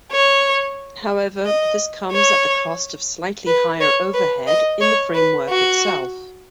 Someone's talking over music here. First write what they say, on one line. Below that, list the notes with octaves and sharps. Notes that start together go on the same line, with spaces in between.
However, this comes at the cost of slightly higher overhead in the framework itself.
C#5
D#5
C#5
B4
C#5
B4
D#5
C#5
B4
F#4